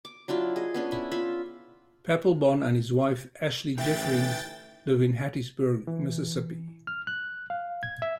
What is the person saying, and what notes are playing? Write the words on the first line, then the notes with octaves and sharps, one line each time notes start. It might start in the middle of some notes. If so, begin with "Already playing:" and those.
Papelbon and his wife, Ashley Jefferies, live in Hattiesburg, Mississippi.
D6
F#3 D4 E4 F4
G#4 D#5
B3 C#4 D4
E4
F4 E5 B5
A1 D#4 B4 E5 G5 A6
E3
F6
F#6
F5
G#6
E5